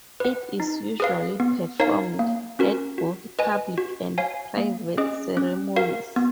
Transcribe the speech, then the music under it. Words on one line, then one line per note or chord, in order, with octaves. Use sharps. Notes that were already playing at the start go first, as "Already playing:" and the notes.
It is usually performed at both public and private ceremonies.
B4 F#5
D#4
G#4 B4 F5
B3
D#4 A#4 C#5 F5
A#3
C#4 F#4 A#4
F#4
B4 D#5 G#5
F#4
C#5 F5 G#5
A#3
C#4 G#4 D#5
C#4
F#4 A#4 F5
B3